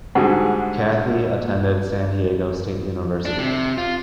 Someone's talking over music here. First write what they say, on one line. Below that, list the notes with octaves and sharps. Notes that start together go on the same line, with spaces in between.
Kathy attended San Diego State University.
G#2 D3 G3 F#4 G#4
D4
C3
F4